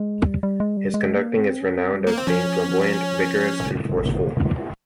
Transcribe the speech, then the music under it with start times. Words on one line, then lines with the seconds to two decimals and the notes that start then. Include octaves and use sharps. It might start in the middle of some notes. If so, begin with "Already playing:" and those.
His conducting is renowned as being flamboyant, vigorous and forceful.
Already playing: G#3
0.27 G3
0.43 G3
0.60 G#3
0.77 G3
0.94 G#3
1.16 A#3
1.37 C4
1.61 C#4
1.77 C4
1.94 G3
2.07 A#3
2.18 C4
2.27 F3 C#4